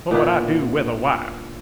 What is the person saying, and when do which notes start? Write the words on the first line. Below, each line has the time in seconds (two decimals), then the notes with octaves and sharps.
What would I do with a wife?
0.11 A#2 B3 D4 E4